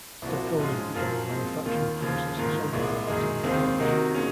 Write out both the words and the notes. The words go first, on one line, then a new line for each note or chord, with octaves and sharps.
Steccone began a manufacturing process and sold the product in his garage.
C2 A#2 F3 C4 F#4
G#2 F3 G#3 C#4 F4
F#2 F3 A#3 F4
A#2 F3 G#3 C4
D#2 D#3 A#3 F4
D#2 C#3 F3
G#2 D#3 A#3 F4
C2 A#2 G#3
F#2 D#3 G#3
D#2 D#3 G#3 C4
C3 D#3 A#3 D#4 F#4
A#2 G#3 C#4